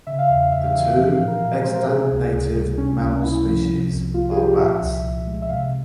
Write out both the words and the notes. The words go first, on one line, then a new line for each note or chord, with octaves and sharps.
The two extant native mammal species are bats.
C#3 E5
F5
E2 E5
F5
E2 E5
F5
E3 E5
F3 E5
F5
A#2
A#4
A#2
G#3 C5
A#4
C3 G#4
C#2
C#2
G3
C3 C#4
C#4
C#2 C#4
C#4
A#3 E4
F3
C3
C2
A#3 F4
G#4
F3 G4
A#2 E5
C2
C2
G#3
E5
C3 F5